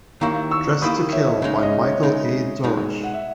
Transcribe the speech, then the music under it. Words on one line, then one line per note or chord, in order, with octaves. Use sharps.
Dressed to Kill by Michael A. Dorosh.
D#2 D#3 A#3 E4 A#5 C#6
C#6 E6
D#2 D#3 A#3 E4 B5 D#6
C#5 E5
D#5
C#3 G#3 D#4 C#5
E5
D#5
C#5
C#3 G#3 D#4
B2 G#3 D#4
F#5
E5